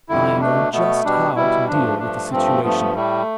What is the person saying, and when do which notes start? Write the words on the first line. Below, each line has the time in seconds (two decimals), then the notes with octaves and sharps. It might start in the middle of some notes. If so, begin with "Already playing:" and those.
I know just how to deal with the situation.
0.09 F2 D3 G3 E4
0.41 B2 A3 D4
0.72 B2 A3 B3
1.05 B2 G3 D4
1.36 B2 G3 E4
1.68 G2 F3 A3 D4
1.99 G2 F3 A3 D4
2.31 G2 F3 A3 C4
2.63 G2 F3 A3 B3
2.95 A2 G3 A3